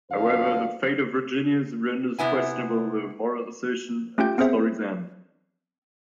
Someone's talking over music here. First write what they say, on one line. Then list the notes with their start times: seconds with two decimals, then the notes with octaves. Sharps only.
However, the fate of Virginius renders questionable the moral assertion at the story's end.
0.11 F#2 D3 C5 F5
2.19 C3 B3 E4 G#5
4.18 A3 C#4 F4 G4 G5 G6
4.38 B3 C4 G#4 C5 E5